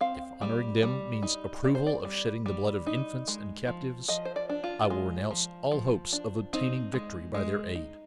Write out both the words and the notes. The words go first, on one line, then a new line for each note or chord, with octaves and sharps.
"If honouring them means approval of shedding the blood of infants and captives, I will renounce all hopes of obtaining victory by their aid."
C4 F5
G3
G3
D#4
C4 D5
C5
D5
G3
G3
D#4
G#3
F3
F3 D#5
C5
D5
D4
F4
G#3
F3
F3
D4
C4 D#4
G#3
G#3
D#4